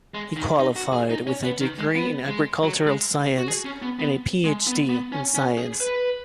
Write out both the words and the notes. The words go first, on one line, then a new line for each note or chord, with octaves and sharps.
He qualified with a degree in Agricultural science and a PhD in science.
G#3
D#3
D#4
F#4
G#4
D#4
C#4
B3
D#3
G#3
B3
G#3
F#3
G#3
F#4
G#4
C#4
B3
B3
G#3
B3
B3
C#4
C#4
G#4
B4